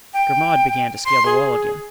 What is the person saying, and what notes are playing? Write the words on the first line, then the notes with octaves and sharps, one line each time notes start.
Grimaud began to scale the wall again.
G5
C6
G#4